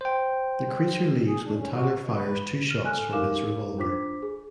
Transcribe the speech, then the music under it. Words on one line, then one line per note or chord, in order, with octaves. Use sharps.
The creature leaves when Tyler fires two shots from his revolver.
C5 G5
G#4
D4
C#4
F#4
B2
B4
F6
A4 G#5 F6 F#6
D#4 G4 A#4 F5 D6 E7
D4 F4 C5 D6 B6
G#4